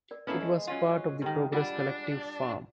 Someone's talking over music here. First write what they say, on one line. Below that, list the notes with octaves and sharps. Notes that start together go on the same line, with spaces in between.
It was part of the "Progres" collective farm.
A#4 D5
A#3 B3 C#4 E4 A4
G#3
F#3 C#4 F4
G#2 D#3 G4 A4 G5
G3 D4 F4 F#5 A5